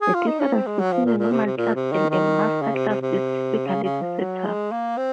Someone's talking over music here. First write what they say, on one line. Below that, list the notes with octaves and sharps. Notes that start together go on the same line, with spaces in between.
The difference between a normal class and a master class is typically the setup.
G#4
F4
D#4
C#4
C4
G#3
F#3
F3
A#2
A#2
C3
C3
A#2
C3
D#3
D#3
C#3
C3
C3
C3
C#3
C#3
F3
F#3
G#3
A#3
C4